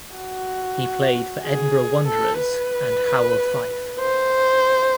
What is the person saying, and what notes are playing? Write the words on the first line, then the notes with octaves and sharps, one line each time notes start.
He played for Edinburgh Wanderers and Howe of Fife.
F#4
G#4
A4
B4
C5